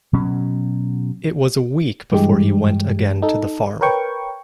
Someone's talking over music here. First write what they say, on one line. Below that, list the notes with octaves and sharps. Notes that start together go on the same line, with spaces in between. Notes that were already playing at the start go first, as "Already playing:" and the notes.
It was a week before he went again to the farm.
B2 F#3 C#4
G2 E3 G#3 G4
D#4 A4
A#4 B4 C#5 G5 C#6